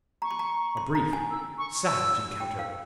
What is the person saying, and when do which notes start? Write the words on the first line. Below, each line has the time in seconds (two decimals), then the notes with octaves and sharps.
A brief, savage encounter.
0.22 A#5 C#6
0.31 C6
0.39 A#5
0.77 C6
0.95 A#5
1.13 G#5
1.31 E6
1.58 C#6
1.85 E6
2.40 G5
2.59 F5